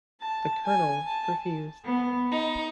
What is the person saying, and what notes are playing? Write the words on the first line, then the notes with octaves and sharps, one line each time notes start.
The colonel refused.
A5
G#5
A5
B3
D#4